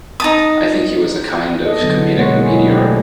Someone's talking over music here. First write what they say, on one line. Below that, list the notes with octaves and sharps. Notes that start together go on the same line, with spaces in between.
I think he was a kind of comedic meteor.
D#4 A5 D#6
A4 D#5
D3 F#3 B3
B2 G#3 A#3 C5 C#5 F#5
A#3 B3 E4 G#4 C#5
B2 F#3 D#5
B2 A3 D4 G4